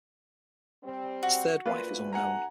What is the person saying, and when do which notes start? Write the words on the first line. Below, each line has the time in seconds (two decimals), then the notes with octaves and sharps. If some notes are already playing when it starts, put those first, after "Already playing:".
His third wife is unknown.
0.84 G3 C4
1.23 F#4
1.66 D2 A#3 F4 B4
2.13 F#5 G#5 A#5